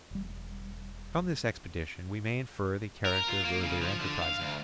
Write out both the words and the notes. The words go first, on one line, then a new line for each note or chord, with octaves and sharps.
And from this expedition we may infer the character of earlier enterprises.
E1 G3
A#4
F4
A#3
C#3
F3
D3
F5
D2